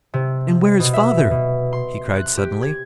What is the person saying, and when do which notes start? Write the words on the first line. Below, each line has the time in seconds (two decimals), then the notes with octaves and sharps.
"And where is Father?" he cried suddenly.
0.14 C3
0.80 B2
0.94 E5
1.31 B2
1.73 C6
2.15 F#6
2.37 G4
2.63 G#6